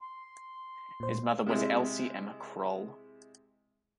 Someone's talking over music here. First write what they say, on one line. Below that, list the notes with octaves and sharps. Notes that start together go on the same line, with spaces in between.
His mother was Elsie Emma Kroll.
C6
A#2 C5
C3 G#3 E4